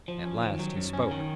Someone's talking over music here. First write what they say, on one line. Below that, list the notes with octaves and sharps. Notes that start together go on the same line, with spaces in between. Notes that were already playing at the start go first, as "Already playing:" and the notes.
At last he spoke.
F3
C#4
D#3
F#3
F#2
C#4
D#3